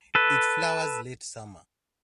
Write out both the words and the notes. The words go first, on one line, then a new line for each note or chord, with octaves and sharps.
It flowers late summer.
A4 B4